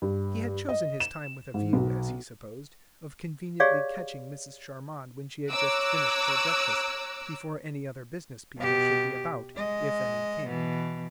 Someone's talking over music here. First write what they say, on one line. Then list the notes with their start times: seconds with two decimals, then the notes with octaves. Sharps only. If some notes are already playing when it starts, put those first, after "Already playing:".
He had chosen his time with a view, as he supposed, of conveniently catching Mrs. Charmond when she had just finished her breakfast, before any other business people should be about, if any came.
0.02 G2
0.69 D#5
1.00 E7
1.54 G#2
1.73 B1
3.60 G4 G#4 C#5 D5 F5
5.51 C#5 A#5 D6 E6 F#6
8.58 B2 G4
9.56 G#3 D#5
10.46 B2 E3